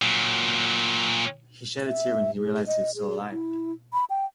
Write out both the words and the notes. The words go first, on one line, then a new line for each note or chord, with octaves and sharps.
He shed a tear when he realized he was still alive.
A#2 F#3
E5
G#4
D#5
G#4
E4
B5
G5